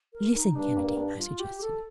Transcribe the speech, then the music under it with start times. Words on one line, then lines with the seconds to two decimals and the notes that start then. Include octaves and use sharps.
"Listen, Kennedy!" I suggested.
0.13 A#4
0.34 D#4
0.55 G2 D4
0.77 A#3
0.97 D4
1.19 F4
1.40 G4
1.61 A4